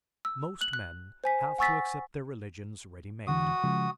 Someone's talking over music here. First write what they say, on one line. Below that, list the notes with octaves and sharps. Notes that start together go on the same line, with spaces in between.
Most men have to accept their religions ready made.
E6
F#6 F#7
F#6
C5 G#5 B6
F#5 G#5 C#6 E6 A6 B6
E1 D3 E3 F#4 D#6
C#3 F3 G#3